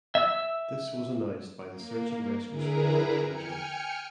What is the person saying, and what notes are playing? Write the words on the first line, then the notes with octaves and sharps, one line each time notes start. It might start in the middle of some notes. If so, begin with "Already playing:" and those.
This was announced by the search and rescue squad "Angel".
E5 E6
A#3
D3 E4 G#4 A#4 B4 A#5
G5 G#5 F6 C#7